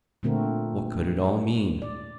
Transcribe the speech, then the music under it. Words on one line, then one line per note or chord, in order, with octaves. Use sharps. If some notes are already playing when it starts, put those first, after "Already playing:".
What could it all mean?
A#2 D3 A3 C4 F#4 A#4
D5